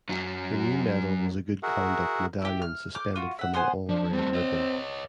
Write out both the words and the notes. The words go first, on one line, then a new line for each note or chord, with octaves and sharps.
The new medal was a Good Conduct medallion suspended from an all red ribbon.
F#2 F#3
F#4 G#4 A#4 E5 F#5
E4 G4
F6
D6 F6 G6
F4 F#4
E5 F#5
B3 C5 F#5 G#5
F3 D4
G3 A3 C4
C#5 D#5